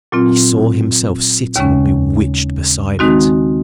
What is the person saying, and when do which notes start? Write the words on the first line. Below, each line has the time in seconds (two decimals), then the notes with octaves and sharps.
He saw himself sitting bewitched beside it.
0.12 A#2 F#3 C4 F4
1.56 D#2 C#3 G#3 C#4
2.99 D#3 G#3 C4 D#4 F#4